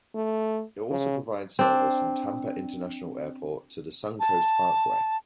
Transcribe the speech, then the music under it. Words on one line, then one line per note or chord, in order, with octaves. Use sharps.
It also provides service from Tampa International Airport to the Suncoast Parkway.
A3
C#3
C4 D4
A5